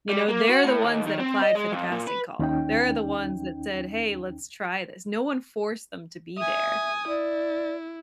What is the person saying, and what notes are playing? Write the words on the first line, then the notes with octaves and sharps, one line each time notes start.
you know? They're the ones that applied for the casting call. They're the ones that said, "Hey, let's try this." No one forced them to be there.
G3
A#3
F#4
A2
D#2
D#3
C4
D#5
G#3
F2
A#2
B4
D#2 C#4 D#4 G5
E5 G#5 D#6
E4 D5